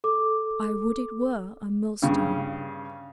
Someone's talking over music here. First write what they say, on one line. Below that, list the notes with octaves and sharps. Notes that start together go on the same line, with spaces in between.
I would it were A millstone!
A4 D6
G2 C#3